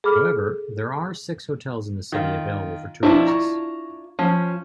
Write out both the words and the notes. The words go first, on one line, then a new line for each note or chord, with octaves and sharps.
However, there are six hotels in the city available for tourists.
G#4 A4 B5 D6 F6
D#3 F4
B2 F3 C4 D4 E4 F4
A#5 C#6
F3 C#4